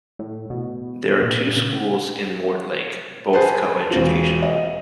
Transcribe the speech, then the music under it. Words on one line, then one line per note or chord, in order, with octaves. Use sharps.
There are two schools in Mortlake, both co-educational.
A2
B2
A#2
C#3
G#4 B4 C5 A5
E1 C4 F4
D#5